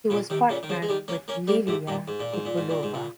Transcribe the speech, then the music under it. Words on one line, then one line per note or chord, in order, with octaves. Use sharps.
He was partnered with Lilia Kopylova.
A#2 C#3
C3 D#3
A#2 C#3
D#3
C#3 F3
G#3
D#3 G3
A#3 C#4
A#3 C#4
G3 A#3
G#2 C3
G2 A#2
G#2
A#2
G#2
A#2
G#2
A#2
G#2
A#2